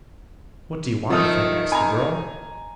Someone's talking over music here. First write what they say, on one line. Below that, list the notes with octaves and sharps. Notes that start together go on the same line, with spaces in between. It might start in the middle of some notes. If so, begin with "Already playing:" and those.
"What do you want of him?" asked the girl.
D#3 F3 A3 D#6 F6
G#5 A#5